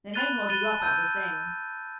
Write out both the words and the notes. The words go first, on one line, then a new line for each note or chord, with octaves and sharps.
They may hold you up all the same.
B5 F#6 A6 D#7 G7
B5 F#6 A6 D#7 G7
A5 E6 G6 D#7